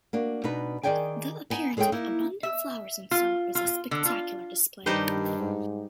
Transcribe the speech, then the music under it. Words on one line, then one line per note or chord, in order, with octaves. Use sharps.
The appearance of abundant flowers in summer is a spectacular display.
A#3 D4 F#4
B2 D4 D#4 B4
D#3 G#4 D5 D#5 G5 G#5
B3 D#4 G#5
G#3 G#4 A4 C#5 G5
A#3 D#4 E4
E5
F4
F4
D3
F4
G2 D#3 G3 D#4 G4 B4 C5
G#2